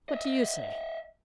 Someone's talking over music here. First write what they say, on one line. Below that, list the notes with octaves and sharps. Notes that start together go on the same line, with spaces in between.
What do you say?
D#5 E5